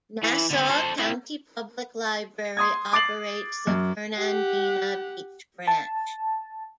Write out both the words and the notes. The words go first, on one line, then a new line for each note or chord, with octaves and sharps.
Nassau County Public Library operates the Fernandina Beach Branch.
E3
D3 B3
A4 C5
C4 E4
C6 D#6 G#6
D6 A6 C7 F#7
F#2
G4 F#5
A5